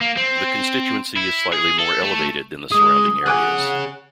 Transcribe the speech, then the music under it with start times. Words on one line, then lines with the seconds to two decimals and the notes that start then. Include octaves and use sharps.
The constituency is slightly more elevated than the surrounding areas.
0.02 A#3
0.17 C4
1.17 E4
1.53 G#4
1.79 A4
2.03 A3
2.72 G#3 G#4 D#6
3.26 G#4 C#5 F#5 G#5 D6 F#6